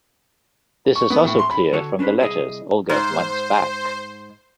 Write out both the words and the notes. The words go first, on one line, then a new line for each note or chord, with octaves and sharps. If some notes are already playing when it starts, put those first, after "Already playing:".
This is also clear from the letters Olga wants back.
C#6
B3
A2
C6
B5
D3 F#4 A4 C#5
C#4 D4 B4 C5
C2 E4 G#4 D#5
G#2 C5